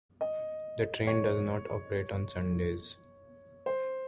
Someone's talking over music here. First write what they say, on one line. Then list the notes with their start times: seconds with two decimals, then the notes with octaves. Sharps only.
The train does not operate on Sundays.
0.21 D#5
1.07 C#5
3.66 C5